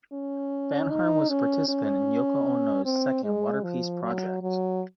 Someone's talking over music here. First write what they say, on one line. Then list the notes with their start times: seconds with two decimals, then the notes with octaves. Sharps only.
Banhart was a participant in Yoko Ono's second "Water Piece" project.
0.13 C#4
0.90 D#4
1.30 C#4
1.68 C#4
2.85 C4
3.24 G#3
3.64 F3
4.02 F#3
4.41 F#3